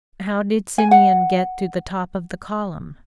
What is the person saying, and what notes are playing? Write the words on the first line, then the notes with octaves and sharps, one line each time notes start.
How did Simeon get to the top of the column?
G#5
F#5